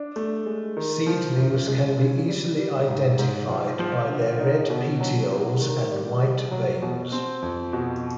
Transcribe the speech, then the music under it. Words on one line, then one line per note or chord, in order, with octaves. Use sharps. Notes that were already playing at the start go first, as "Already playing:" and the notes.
Seedlings can be easily identified by their red petioles and white veins.
Already playing: D4
A3
G#3
D#3
F3
F#2
G#3
C#3
G3
G3
G#2
G#2
F3
F3
D3
D#4
B2
F#3
C3
D#3
G3
G3
F#3
B2
C4
F2
B2